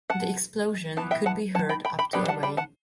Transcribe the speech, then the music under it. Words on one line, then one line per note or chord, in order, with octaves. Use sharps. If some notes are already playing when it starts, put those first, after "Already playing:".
The explosion could be heard up to away.
F#5 A5
E3 B3 A5
E5 G5
F#5 A5
F#5 A5
G5 B5
G5 B5
G5 B5
G3 B3 D4 G5 B5
F#5 A5
G5 B5
F#5 A5